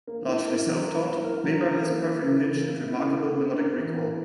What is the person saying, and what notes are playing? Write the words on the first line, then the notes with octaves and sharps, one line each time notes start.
Largely self-taught, Weber has perfect pitch and remarkable melodic recall.
A#3
E4
A#4
F#3
A#3
E4
A#4
F#3
E3
A#3
E4
C#3
E3
A#3
E4
C#3
A#3
D4
A#4
E3
A#3